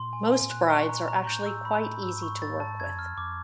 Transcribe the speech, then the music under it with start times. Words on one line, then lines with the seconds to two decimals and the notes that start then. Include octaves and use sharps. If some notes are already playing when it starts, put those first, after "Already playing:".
Most brides are actually quite easy to work with.
Already playing: A#2 C6
0.13 G#5
0.32 G#5
0.42 A2
0.51 A#2 F#6
0.70 C#6
0.89 A#5
1.08 A#5
1.27 A2 G6
1.46 E6
1.65 B5
1.84 B5
2.03 G#2 E6
2.22 C#6
2.42 A6
2.60 A5
2.80 F#2 G#6
2.98 F2 F6
3.17 F2 D6